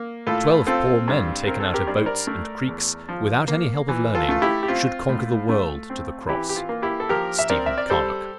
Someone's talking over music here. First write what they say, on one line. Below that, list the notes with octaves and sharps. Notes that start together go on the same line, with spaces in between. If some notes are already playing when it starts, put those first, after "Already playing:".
Twelve poor men taken out of boats and creeks, without any help of learning, should conquer the world to the cross. --STEPHEN CARNOCK.
Already playing: A#3
A2 F4 A4
C4 F4 A4
G2
C4 A#4
A4
G4 A#4
G2 D5
C5
A#4 D5
A3
E2
F3
A#3
E3
F4 A4
A3 F4
E4 G4
G4
C4 F4
A2
A3
C4
E3 E4 G4
G4
F4
A#3
E4 G4
A4
F3 G4 A#4
E5
C4 A#4 D5
E5
D5
G3 A4 C5